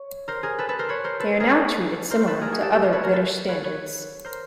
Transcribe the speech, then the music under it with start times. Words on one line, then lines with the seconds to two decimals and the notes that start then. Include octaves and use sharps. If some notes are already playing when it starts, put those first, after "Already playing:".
They are now treated similar to other British Standards.
Already playing: C#5
0.28 A#4 C5
0.43 G#4 A#4
0.58 A4 B4
0.69 A4 B4
0.79 A#4 C5
0.89 B4 C#5
1.04 A#4 C5
1.20 A4 B4
1.40 G#4 A#4
1.50 A4 B4
2.11 A#4 C5
2.27 A4 B4
2.41 G#4 A#4
2.52 F#4 G#4
2.62 G4 A4
2.72 G4 A4
2.82 A#4 C5
2.93 B4 C#5
3.03 A#4 C5
3.13 A4 B4
3.49 B4 C#5
3.63 B4 C#5
4.25 A#4 C5